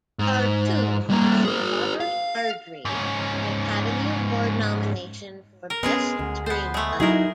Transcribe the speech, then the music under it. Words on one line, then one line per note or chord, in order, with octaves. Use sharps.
"Khartoum" earned Robert Ardrey an Academy Award nomination for Best Screenplay.
G#2
G3 A#3
G#4 A#4
F5
G#2 C#4
A#4
G#3 B3 C#4 F4 G#4
D2
B3 C5
G#3 A3
F#3 D#4 E4 G#4 A#4